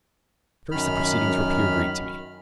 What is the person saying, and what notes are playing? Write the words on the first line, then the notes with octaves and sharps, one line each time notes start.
At first the proceedings were pure Greek to me.
F#2 D#3 B5 F6